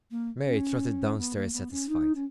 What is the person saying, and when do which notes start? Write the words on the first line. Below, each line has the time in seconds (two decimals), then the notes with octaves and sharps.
Mary trotted down stairs satisfied.
0.10 A#3
0.46 C#4
1.17 B3
1.35 A#3
1.52 B3
1.70 C#4
1.88 D#4
2.14 C#4